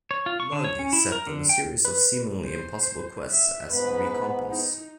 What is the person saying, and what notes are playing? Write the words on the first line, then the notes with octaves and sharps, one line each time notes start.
Lug set them a series of seemingly impossible quests as recompense.
C#5
F4
C#6
D3
C#5
C#4
E4
A#4
D3
G5
B4
C5
E5
G#2 B3 B4
D#4